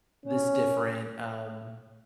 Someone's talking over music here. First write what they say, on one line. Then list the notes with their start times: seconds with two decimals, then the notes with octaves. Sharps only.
this different, um,
0.25 C#4